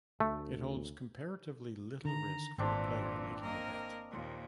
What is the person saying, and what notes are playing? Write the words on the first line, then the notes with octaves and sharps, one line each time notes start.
It holds comparatively little risk for the player making the bet.
D2 A3
D3 D#3 A#5
G#1 A#2 E3 C4 D4
A#3 A#4 D#5
D#2 A#2